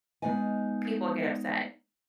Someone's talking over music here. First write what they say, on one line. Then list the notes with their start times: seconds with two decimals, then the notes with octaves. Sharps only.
people get upset.
0.22 G#3 B3 D#4 D#5 G#5